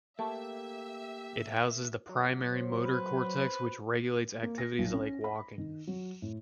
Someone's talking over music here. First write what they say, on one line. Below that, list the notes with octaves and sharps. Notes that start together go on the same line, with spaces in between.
It houses the primary motor cortex which regulates activities like walking.
A3 A#3 G4 E5
F#3
C5
B4
A#3
A#6
B1
C#4
B5
D#3
F#3
A2